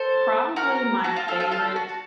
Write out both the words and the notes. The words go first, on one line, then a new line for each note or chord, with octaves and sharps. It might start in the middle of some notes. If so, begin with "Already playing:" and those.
probably my favorite
Already playing: A4 C5
A5
F#4 A#4 A#5
F#4 A5
F4
F4 A4
F4 A4
F4 A4
F#4